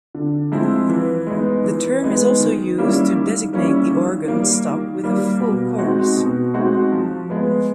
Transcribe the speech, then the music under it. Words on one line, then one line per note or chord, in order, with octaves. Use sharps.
The term is also used to designate the organ stop with a full chorus.
D3
F3 G#3 C4 E4
E3
G#3 B3 D#4
E3
G#3 B3 D#4
D#3
G3 A#3 C#4 E4
D#3
G3 A#3 C#4 E4
D#3
G3 A#3
D#3
G3 A#3
B2
G#3 C4 D#4 F#4
B2
G#3 C4 D#4 F#4
F3
G#3 B3